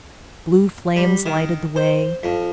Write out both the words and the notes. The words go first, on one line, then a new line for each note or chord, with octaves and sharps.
Blue flames lighted the way.
G3
D#3
C5
F2